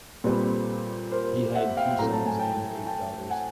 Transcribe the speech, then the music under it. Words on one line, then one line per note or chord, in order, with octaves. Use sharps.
He had two sons and eight daughters.
A#2 G3 C4 A4 B4
A#4 C5
E5 F#5
F5 G5
A2 F#3 A3 C4 A#5
A5
G#5
G5 A5
G5 A5
F#5 G#5